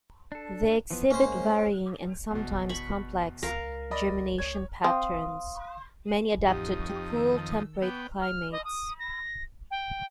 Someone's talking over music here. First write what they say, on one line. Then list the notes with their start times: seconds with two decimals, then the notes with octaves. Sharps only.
They exhibit varying and sometimes complex germination patterns, many adapted to cool temperate climates.
0.32 D4 A4
0.91 E3 F3 B3
1.11 G#3 A#3 C#4 C5
2.31 G1 E2 B2
2.69 B5 C#6
3.43 C#2 A#4 F5
3.91 D5 D#5 B5
4.38 C#5 G#6
4.84 C4 F5 C6 D#6
6.48 A1 F2 D#4 G4 F#5
6.89 G4
7.13 D#3 E6
7.82 B3 G5
8.21 F6
8.52 D#5
8.64 D#6
8.99 A#6
9.71 G5